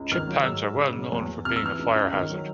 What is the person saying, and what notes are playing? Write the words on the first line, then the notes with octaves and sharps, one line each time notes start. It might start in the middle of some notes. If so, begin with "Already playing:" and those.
Chip pans are well known for being a fire hazard.
Already playing: C#2
D#3 F6
F#3
G#2 E6
G#2
C#3
F#3
E2
E2
C3 F6
E6
E3 F6
C#2
C#2
D#3 F6
F#3